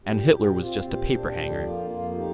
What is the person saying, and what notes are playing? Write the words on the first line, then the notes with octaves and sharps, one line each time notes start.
"And Hitler was just a paper-hanger."
A#2 G4
A#2 G4
C4 F4
A#2 G4
D4
F2
G4
A#3 F4
F2 F4
F4
D#4 G4